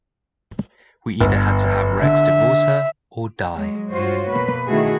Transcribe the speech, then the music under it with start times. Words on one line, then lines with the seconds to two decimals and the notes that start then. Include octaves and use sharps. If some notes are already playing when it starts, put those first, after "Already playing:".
We either had to have Rex divorce her or die.
1.21 G1
2.02 D3 E5
3.54 F#3 G#3
3.91 G2 F4 F#4 C5 C#5
4.31 B2 A#3 B4
4.67 B2 D#3 A3 E4 F#4 G#4